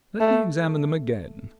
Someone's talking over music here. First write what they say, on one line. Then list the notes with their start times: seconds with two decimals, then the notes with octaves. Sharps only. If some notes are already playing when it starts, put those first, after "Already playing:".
Let me examine them again.
0.20 A3